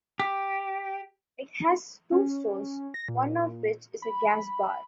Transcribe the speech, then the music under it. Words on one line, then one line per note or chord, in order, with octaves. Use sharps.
It has two stores, one of which is a gas bar.
G4
C#4
A#6
A#2
B5